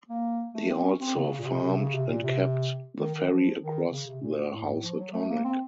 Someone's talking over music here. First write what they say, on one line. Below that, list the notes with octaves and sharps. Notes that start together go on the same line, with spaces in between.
He also farmed, and kept the ferry across the Housatonic.
A#3
A3
C4
C#4
C4
C#3
A#2
C3
C3
C#3
C3
A#2
C3
D#3
D#3
F3
D#3
C#3
C3
A#2
A2
F#2
A2
F3
F#3
A3
A#3
C4